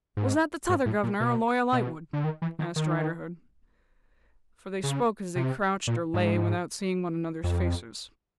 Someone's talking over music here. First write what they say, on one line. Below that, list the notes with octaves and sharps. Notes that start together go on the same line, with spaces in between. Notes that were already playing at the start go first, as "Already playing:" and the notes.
'Was that the T'other Governor, or Lawyer Lightwood?' asked Riderhood. For, they spoke as they crouched or lay, without seeing one another's faces.
G#2
G#2
A2
A#2
B2
B2
D3
D#3
E3
D#3
D#3
C#3
C3
A#2
G#2
F2